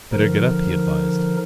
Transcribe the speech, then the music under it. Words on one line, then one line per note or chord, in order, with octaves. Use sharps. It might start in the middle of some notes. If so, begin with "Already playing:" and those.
"Better get up," he advised.
D3 F3 D#4 A#4